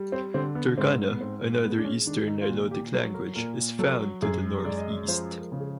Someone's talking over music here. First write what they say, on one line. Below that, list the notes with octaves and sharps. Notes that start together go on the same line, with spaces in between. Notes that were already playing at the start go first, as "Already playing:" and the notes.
Turkana, another Eastern Nilotic language, is found to the northeast.
Already playing: G3
C4
D3 C4
B3
G#2 C4
B3
G#2 C4
G#3 B3
D4
C#4
D#3 D4
D#4
F4
A#2 F#4
G4
F#3 G#4
A#4
A#2 A#4
F#3 A4
F#2 G#4
G#3 D5
D#5
D5
F3 C5
A#4
C#3
G#4